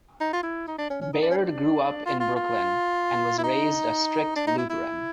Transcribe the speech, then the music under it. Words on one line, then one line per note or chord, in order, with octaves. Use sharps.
Baird grew up in Brooklyn, and was raised a strict Lutheran.
D#4
F4
E4
D#4
D4
C#4
C#4
D#4
D4
C#4
D4
F4
F4
F4
E4
D#4
D4
D#4
E4
E4